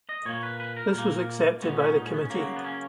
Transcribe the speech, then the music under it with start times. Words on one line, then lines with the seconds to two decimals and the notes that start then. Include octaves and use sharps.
This was accepted by the committee.
0.09 D#5
0.25 A#2 A#3 C#5
0.43 B4
0.60 B4
0.77 A#4
0.94 A#2 A#3
1.62 A#2 G#3 B3 C#4
1.79 C#4
1.96 D#4
2.05 C#4
2.14 B3
2.22 C#4
2.30 C#3 F#3 A#3
2.56 B3
2.64 C#4